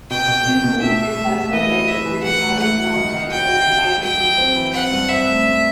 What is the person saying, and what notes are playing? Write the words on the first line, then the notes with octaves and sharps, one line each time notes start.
It is smooth and sulphur yellow with an orange-brown centre and whitish margin.
B2 G5
B2
B2
B2
A3 E5
A3
A3
A3
E3 D#5
E4
E4 E5
E3
E3 F#5
A3
E4 F#5
E4
D#3
D#3
F#4 G5
F#4
D#3
F#4
F#3 G5
F#3
C4
E3
C4 F#5
G2
C4 E5
A3
G2